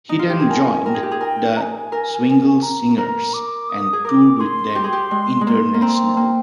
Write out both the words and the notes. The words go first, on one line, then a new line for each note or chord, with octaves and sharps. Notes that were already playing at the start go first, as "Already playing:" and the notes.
He then joined The Swingle Singers and toured with them internationally.
D#4
F4
G4
G#4
A#4 G#5
A#4 G5 G#5
G#4
G4
G#4
A#4 G5 G#5
A#5
G#5
A#4
A#5
A#4 A#5
D6
D#6
G#4
A#4 D6 D#6
G#4 C6
G4
G#4
G4
G#3
G#3
A#3 C6
A#3
C4 A#5
A#3 G5